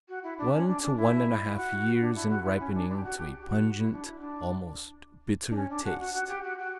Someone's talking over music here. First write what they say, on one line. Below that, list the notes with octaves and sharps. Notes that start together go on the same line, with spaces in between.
One to one-and-a-half years in ripening to a pungent, almost bitter taste.
F#4
E4
D4
C#4
D4
D4
E4
E4
F#4
D4
E4
F#4
E4
C#4
D4
D4
G4
F#4
G4
G4
F#4
E4
D4
E4
D4
D4
C#4
D4
F#4
F#4
F#4
G4
F#4
F#4